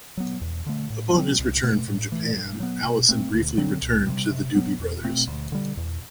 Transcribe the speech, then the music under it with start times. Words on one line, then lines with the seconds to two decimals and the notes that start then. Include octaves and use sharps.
Upon his return from Japan, Allison briefly returned to the Doobie Brothers.
0.17 F#3 B3
0.41 E2
0.66 D3 A3
0.90 A2
1.15 F#3 C4
1.39 C2
1.63 B2 A3
1.88 A2
2.12 E3 A3
2.36 G2
2.60 F#3 B3
2.85 B2
3.09 A3 C4
3.34 D2
3.58 D3 F#3 C4
3.82 C2
4.07 C3 G3
4.31 C3
4.55 F#3 B3
4.79 E2
5.04 B2 A3 C4
5.27 D2
5.52 D3 G3
5.77 E2